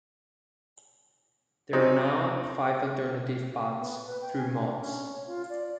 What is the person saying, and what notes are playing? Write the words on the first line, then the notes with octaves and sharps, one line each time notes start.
There are now five alternative paths through Mods.
F#3 C4 C#4 D#4
B3
B4
G5
G#5
D4
C#4
C#5
F4
D5